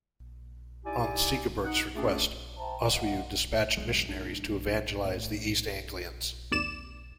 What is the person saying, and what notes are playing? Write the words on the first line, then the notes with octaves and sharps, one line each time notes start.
On Sigeberht's request, Oswiu dispatched missionaries to evangelise the East Anglians.
D#4 E4 G4 D5 G#5
D#4 F#5
A3 C#4 D4 F4 G#4
C5 E5 G5 A5 A#5
D#5 F5 F#5
E1 B1 G#3
A#1 G#2 D4
A2
G#1 D#2 D5 E7